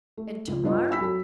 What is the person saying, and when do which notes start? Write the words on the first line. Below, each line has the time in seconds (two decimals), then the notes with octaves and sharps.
And tomorrow?
0.17 A3
0.48 C#2
0.64 G2 B3 D4 F4 D#5
0.89 G#5 B5 E6 B6
1.01 F#3